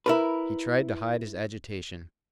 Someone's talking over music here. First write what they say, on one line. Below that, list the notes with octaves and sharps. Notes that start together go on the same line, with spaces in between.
He tried to hide his agitation.
E4 A#4 B4